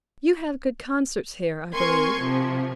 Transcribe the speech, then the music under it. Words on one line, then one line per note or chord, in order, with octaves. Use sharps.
'You have good concerts here, I believe.'
C4 A#4 G#5 C6 C#6 G#6
C3 F3